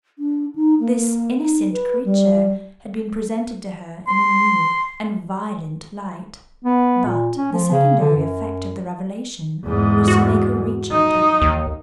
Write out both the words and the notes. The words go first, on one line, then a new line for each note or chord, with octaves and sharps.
This innocent creature had been presented to her in a new and violent light, but the secondary effect of the revelation was to make her reach out a hand.
D4
D#4
A#3
D#4
B4
G3
C6
B3
A#2
C#4
F3
C#3
D3
F#2
E2 G#2
F#4
D#4
D#2